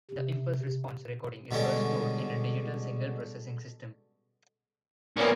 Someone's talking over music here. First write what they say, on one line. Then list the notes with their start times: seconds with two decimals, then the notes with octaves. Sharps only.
The impulse-response recording is first stored in a digital signal-processing system.
0.11 C3
1.51 B2 D3 G3 G#3 C#4
5.17 A#2 A#3 B3 C#4